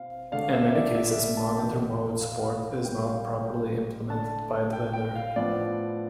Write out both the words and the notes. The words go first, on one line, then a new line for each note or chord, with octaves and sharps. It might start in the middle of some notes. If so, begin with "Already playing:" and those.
In many cases, monitor mode support is not properly implemented by the vendor.
Already playing: B2 C4 F5
D3 A3 D4 F5
E5
D5
E5
A5
E2 B2 B3 D4 G5
F5
F5
B2 G3 D4 G5
F5
G5
G5
D3 A3 D4 A5
G5
G5
F5
A2 F3 B3 D4 D5